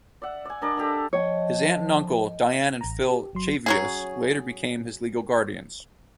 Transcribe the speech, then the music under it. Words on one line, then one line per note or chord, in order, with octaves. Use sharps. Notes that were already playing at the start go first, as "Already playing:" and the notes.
His aunt and uncle, Dianne and Phil Cheavious, later became his legal guardians.
D5 E5 F#5
D5 G#5
D4 A#4 D5 D#5
G4 A4 E5 A#5
F3 C#5 D#5 G5
A1 A#5
G4
G1 F#3 C6
F#3 C#4 G#4